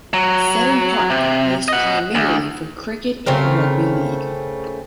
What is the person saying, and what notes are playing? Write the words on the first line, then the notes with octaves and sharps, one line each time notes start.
Seddon Park - used primarily for Cricket and Rugby League.
F#3
C3
D#5 F#5
D2
C#3 A3 C4 A#4